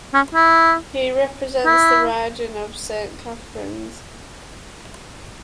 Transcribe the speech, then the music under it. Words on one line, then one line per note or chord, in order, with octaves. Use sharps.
He represents the riding of Saint Catharines.
C#4
E4
E4